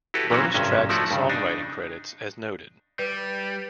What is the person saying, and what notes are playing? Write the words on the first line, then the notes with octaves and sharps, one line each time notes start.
Bonus tracks songwriting credits as noted.
E4 F#4 G4 A4 B4
A#2 E3 F#3 C4 C#4 F#4
G#1 G2 C3 C#4 D#5 E5
F3 A3 E4 F#4 A4 D5
G2 C#3
D4 D#4
G3 B4